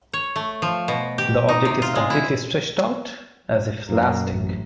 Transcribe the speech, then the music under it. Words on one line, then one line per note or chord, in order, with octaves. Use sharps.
The object is completely stretched out, as if elastic.
C#5
A3
F3
B2
G4
D#4
C3
F4
G#3
E4
F#2 A#3
A1